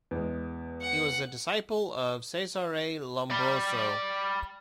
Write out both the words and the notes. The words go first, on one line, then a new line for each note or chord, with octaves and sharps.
He was a disciple of Cesare Lombroso.
E2 G#3
F#5
D5 B5